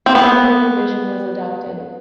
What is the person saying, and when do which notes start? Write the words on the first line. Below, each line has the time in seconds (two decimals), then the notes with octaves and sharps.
Neither provision was adopted.
0.06 C4
0.15 B3